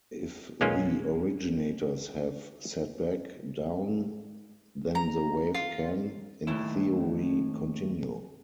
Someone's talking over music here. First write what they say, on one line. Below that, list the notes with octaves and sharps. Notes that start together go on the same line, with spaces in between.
If the originators have sat back down then the wave can, in theory, continue.
B1 G#3 A#3 C#4 F4
A#5
F4
D#2 A2 E4